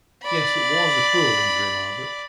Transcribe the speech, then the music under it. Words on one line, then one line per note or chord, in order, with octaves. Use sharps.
Yes, it was a cruel injury, Margaret.
D5 B5